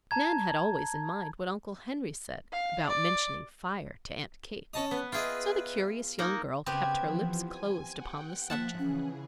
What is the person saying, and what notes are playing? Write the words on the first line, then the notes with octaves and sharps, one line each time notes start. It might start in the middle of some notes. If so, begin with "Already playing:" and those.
Nan had always in mind what Uncle Henry said about mentioning fire to Aunt Kate; so the curious young girl kept her lips closed upon the subject.
A5 A#5 G#6
F5
D5
C#4 D#5 A5 D#6
B3 B4
F4 G#4 D#5 E5 G5
A#3 D#4 A#4
C#3 B3 C4 G4 G#6
E3 F3
G#5
F#5 G5
F3 A#3 E5 F#5 A5 F#6
C#3 E3 C#4 G#4